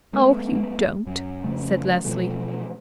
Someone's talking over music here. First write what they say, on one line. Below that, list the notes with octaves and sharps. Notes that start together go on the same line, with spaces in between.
"Oh, you don't," said Leslie.
G#3 A3 B3
F#2
F2 C#3 A3
B2 E3 F3 A3